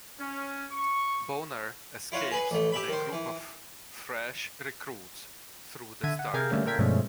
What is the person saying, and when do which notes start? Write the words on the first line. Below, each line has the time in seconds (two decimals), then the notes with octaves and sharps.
Bonner escapes with a group of fresh recruits through the Stargate.
0.20 C#4
0.72 C#6
2.12 E4 F4 C#5 F#5
2.31 G#4 B4
2.51 A1 A3
2.72 G4 E5 B5
2.88 D#3 C5
3.13 E3
6.03 D3 E5 G#6 D#7
6.19 F#5
6.33 C3 G#4 A#4 F5 G5 G#6
6.51 D3 G3 A3 A#3 C#4
6.66 A#2 A4 A#4 G5 G#6 B6
6.79 G2 B2 F3 G#3 A3 C#4